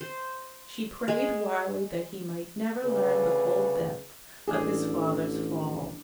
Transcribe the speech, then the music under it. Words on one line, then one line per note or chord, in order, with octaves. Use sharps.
She prayed wildly that he might never learn the full depth of his father's fall.
C5
G#3
D2 C#3 G#4 B4
A1 D4 G#4 A4